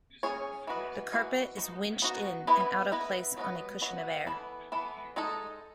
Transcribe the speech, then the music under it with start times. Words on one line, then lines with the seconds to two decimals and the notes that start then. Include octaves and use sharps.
The carpet is winched in and out of place on a cushion of air.
0.23 C#4 G#4 C#5
0.67 E3 B3 F#4 B4 D#5
1.12 E3 B3 F#4 B4 D#5
1.57 B3 D#4 F#4
2.02 B3 D#4 F#4
2.47 B3 E4 B4 D#5
2.92 B3 E4 B4 D#5
3.37 F#3 B3 F#4 B4 D#5
3.82 F#3 B3 F#4 B4 D#5
4.27 E3 B3 E4 A4
4.72 E3 B3 E4 A4
5.16 G#3 D#4 A4 D#5